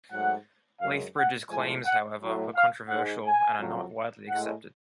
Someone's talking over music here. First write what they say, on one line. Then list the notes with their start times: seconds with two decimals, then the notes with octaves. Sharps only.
Lethbridge's claims, however, were controversial and are not widely accepted.
0.11 G#2 F#3 A3 F#5
0.80 F#2 C#3 G#3 F5
1.16 F#5
1.50 A2 F3 G#3 G#5
1.85 F#5
2.21 A2 F#3 A3
2.55 F5
2.90 G#2 G#3 F#5
3.25 G#5
3.59 F2 C#3 F#3
4.29 A2 G#3 F#5